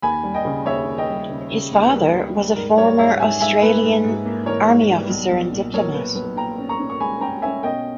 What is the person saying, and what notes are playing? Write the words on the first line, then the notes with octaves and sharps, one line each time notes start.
His father was a former Australian Army officer and diplomat.
D#2 G#5 B5
G3
D#5 G5
C#3
D#2 C#5 E5
D#2
D#5 G5
G3
C#3
C#3
D#2
B4
G3 A#4
D#2
G3
G#2 A#4
G3 A#4 C#5
G#2 C#5 E5
G#2 E5 G#5
G#2 E5 G#5
A#3 B4
G#2
G#2
A#3
E3 A#4 C#5
G#2
G3
B1
B1
A#2
B1 A#4 C#5
A#2 B4
B1 B4
A#2 G5 A#5
C#4
A#5 C#6
C#4
C#6
G#3 G#5 B5
C#4 G5 A#5
C#4 E5 G#5
B2 D#5 G5